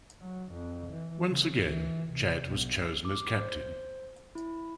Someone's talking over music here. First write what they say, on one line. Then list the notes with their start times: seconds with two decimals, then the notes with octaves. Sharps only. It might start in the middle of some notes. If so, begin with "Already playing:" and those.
Once again, Chand was chosen as captain.
0.20 F#3
0.52 F2
0.91 E3
1.27 C#3
1.62 E3
2.10 C3
2.48 B1
3.05 D6
3.40 C5
4.35 E4